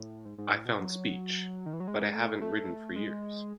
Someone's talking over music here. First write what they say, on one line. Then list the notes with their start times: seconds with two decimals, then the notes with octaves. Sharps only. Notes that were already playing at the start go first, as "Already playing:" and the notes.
I found speech: "But I haven't ridden for years."
Already playing: A2
0.25 G#2
0.38 G#2
0.52 A2
0.66 B2
0.79 F#3
1.66 D#3
1.73 E3
1.80 F#3
1.88 G#3
2.15 A3
2.41 A3
2.96 G#3